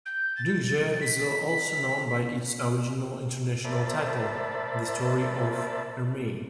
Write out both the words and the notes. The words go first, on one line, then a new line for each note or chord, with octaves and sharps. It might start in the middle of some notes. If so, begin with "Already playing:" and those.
"Jingzhe" is also known by its original international title, The Story of Ermei.
G6
A6
B6
A#4 C5 D5 E5 A5 B5